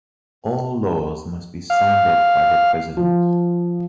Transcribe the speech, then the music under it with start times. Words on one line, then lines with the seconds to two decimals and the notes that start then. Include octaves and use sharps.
All laws must be signed off by the President.
1.70 F5
2.97 F3